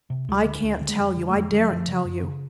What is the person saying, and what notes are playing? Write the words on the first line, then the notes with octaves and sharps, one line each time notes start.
"I can't tell you--I daren't tell you."
C3
D2 G#3
D3
D2
D3
G#3
F2 G3
D3
A3
F2 G#3
D3 G3
F#3
F#2 F3
C#3
F#2
C#3